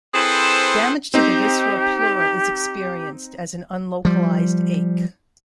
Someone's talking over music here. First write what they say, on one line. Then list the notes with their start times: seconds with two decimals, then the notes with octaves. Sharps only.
Damage to the visceral pleura is experienced as an un-localized ache.
0.14 C4 E4 G#4 A4 B4 C5
1.14 C4 D#4 G4 C5
4.05 F3 G3